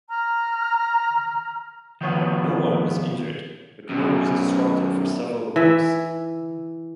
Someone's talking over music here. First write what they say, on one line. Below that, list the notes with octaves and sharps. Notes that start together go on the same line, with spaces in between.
No one was injured, but work was disrupted for several weeks.
A#5 F6
D#3 F3 B3 C#5
F#2 B2
E3 E5